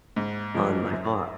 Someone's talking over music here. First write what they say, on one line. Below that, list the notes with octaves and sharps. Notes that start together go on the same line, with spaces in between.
on my car.
G#2
F3 G#3
F#2